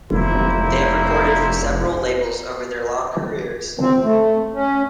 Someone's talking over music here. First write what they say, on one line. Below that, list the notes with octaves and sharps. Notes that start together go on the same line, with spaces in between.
They have recorded for several labels over their long careers.
F1 A#3 E4 C5
C4
A3
C#4